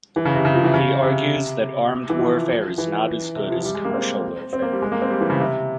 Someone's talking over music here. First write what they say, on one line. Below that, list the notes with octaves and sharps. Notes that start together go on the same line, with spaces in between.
He argues that "armed warfare" is not as good as "commercial warfare".
E3
C#3
C3
C#3
F3
E3
C#3
C3
E3
F3
E3
C3
F3
F3
G3
G#3
A#3
C4
C4
A#3
G3
G#3
A#3
C4
G3
E3
C#3
C3